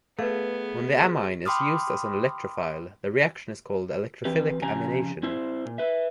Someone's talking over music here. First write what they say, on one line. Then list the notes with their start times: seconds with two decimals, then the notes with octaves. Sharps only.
When the amine is used as an electrophile, the reaction is called electrophilic amination.
0.19 A3 B3 G#4 B4 F5
1.46 G5 B5 C6 D6 D#6 F6
4.25 E3 C4 G4 B4
4.62 F2 C#3 G4 G#5 A#5
5.23 C4 E4 C5
5.66 A#2
5.78 B4 E5